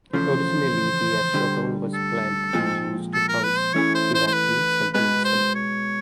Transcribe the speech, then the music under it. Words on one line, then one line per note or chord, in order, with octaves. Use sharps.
Originally, the Astrodome was planned to be used to house evacuees until December.
E2 C#3 F3 A3 C5
D2 D3 G3
A4
A#2 F3 G#3 C4
A4
A#4
B4
C5
E3 A3 C#4 E4 G#4 C#5
C5
C5
C5
B4
B2 G#3 B3 B4
C5
C#5